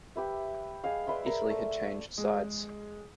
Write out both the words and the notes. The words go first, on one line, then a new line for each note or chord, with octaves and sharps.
Italy had changed sides.
G4 B4 E5
G#4 D#5 F5
B4 D5 E5 C6
A#4
A3
G#3